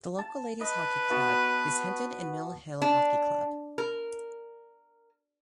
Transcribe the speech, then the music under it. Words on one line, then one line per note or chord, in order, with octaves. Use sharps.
The local ladies hockey club is Hendon and Mill Hill Hockey Club.
A5
B4 D#5
B3 F#4 A5
D4
A#4